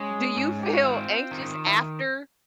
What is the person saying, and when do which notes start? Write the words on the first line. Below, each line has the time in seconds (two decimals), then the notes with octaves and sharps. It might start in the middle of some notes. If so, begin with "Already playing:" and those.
do you feel anxious after?
Already playing: G#3 C#4
0.37 G#2
0.63 G4
0.74 F#4
0.84 C4 F4
1.31 D#3
1.67 E4